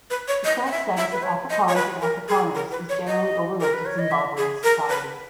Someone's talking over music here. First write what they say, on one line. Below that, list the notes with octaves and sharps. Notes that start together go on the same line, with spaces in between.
The current status of Afrikaans and Afrikaners is generally overlooked in Zimbabwean society.
B4
C#5
D#5
F#5
E5
E5
B4
C#5
D#5
C#5
B4
A#4
G#4
A#4
B4
C#5
D#5
A#4
B4
C#5
D#5
E5
G#4
A#4
B4